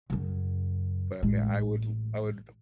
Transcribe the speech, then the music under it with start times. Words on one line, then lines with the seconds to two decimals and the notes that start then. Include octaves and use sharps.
But, I mean, I would l I would
0.10 F#2 C#3
1.22 A1 G#3